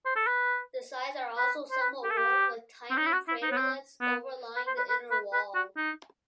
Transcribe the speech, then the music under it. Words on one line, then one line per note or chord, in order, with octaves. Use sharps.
The sides are also somewhat worn, with some tiny craterlets overlying the inner wall.
C5
A4
B4
B4
C5
B4
G4
A4
G4
C4
D#4
E4
F#4
E4
D#4
B3
C4
B3
B4
C5
B4
B4
B4
B4
F#4
D#4